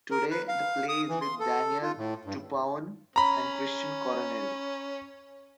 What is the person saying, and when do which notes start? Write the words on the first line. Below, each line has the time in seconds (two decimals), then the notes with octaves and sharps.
Today the play is with Daniel Tupauan and Christian Coronel.
0.11 A#4
0.31 B4
0.48 F5
0.89 D#6
1.09 E3
1.21 C6
1.40 A4
1.82 F4
1.97 A2
2.25 G2
3.16 C#4 A#5 B5